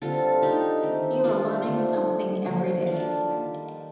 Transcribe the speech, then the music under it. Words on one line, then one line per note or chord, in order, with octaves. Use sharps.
You are learning something every day.
D3 G3 C4 F4 A4
D#4 G4
D#3 A3 C4
D4 F4
D3 A3 C4
D3 F3 A#3
D4 F4
D#3 G3 A#3